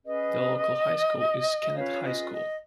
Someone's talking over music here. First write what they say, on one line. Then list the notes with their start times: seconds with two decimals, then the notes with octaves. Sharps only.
The local high school is Kennett High School.
0.04 C#4 G#4 B4 D#5
1.74 C#4 F4 G#4 B4 C#5 F5
2.03 D#5
2.31 D#5